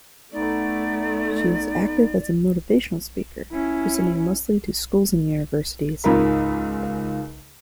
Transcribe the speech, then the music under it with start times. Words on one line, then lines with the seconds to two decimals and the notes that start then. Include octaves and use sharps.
She is active as a motivational speaker, presenting mostly to schools and universities.
0.32 A3 B3 D#4 D5
3.52 C#4 E4
6.04 C#2 G#2 F4 A#4 B5